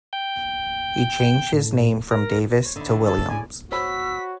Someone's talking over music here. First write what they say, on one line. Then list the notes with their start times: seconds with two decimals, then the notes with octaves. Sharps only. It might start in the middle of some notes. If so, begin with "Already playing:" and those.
He changed his name from Davis to Williams.
0.13 G5
1.53 A2
2.11 A#4
2.63 C5 C#5
2.76 D3 D#4 E4
2.89 E3 A3 F4
3.05 C#4 G#4 A4
3.29 A2 D5 G#5
3.72 F#4 C5 C#5 B5 E6 B6